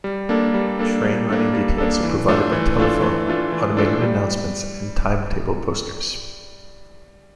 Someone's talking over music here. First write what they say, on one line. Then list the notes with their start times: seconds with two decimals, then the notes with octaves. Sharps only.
Train running details are provided by telephone, automated announcements and timetable posters.
0.04 G3
0.29 A#3 D4 A4
0.54 G3
0.79 A#3 D4 A4
1.04 G3
1.28 A#3 D4 A4
1.53 G3
1.78 A#3 D4 A4
2.03 E3
2.28 A3 D4 F4 A4
2.52 E3
2.78 A3 D4 F4 A4
3.02 E3
3.27 A3 D4 F4 A4
3.52 E3
3.77 A3 D4 F4 A4
4.02 G3